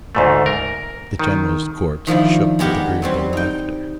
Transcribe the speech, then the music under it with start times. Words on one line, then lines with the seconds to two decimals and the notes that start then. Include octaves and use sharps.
The general's corpse shook with agreeable laughter.
0.15 D2 G#2 A3
0.46 A#4
1.19 D#3
2.07 D#3 F3 D4 E4
2.59 G#3 B3 G4 A#4 F#5
3.02 F#3 G3 C4
3.33 D#4 G5